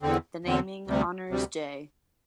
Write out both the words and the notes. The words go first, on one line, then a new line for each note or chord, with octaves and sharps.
The naming honors J.
E2 D3 C4
E2 D3 C4
D2 C3 G3
D2 C3 G3